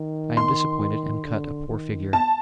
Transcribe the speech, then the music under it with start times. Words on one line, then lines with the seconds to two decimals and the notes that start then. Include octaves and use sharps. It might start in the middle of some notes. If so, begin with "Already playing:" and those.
I am disappointed and cut a poor figure.'
Already playing: D#3
0.37 C6
1.25 D3
1.69 D#3
2.13 A5